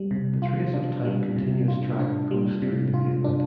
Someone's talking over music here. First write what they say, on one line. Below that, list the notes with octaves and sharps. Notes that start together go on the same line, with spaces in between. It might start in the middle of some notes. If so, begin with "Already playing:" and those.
The trace of tank continuous track goes through the pavement.
Already playing: G3
C3
F4
D4
G3
C3
F4
D4
G3
C3
F4
D4